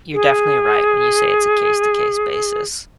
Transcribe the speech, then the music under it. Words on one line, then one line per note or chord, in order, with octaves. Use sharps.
you're definitely right when you say it's a case-to-case basis.
G#4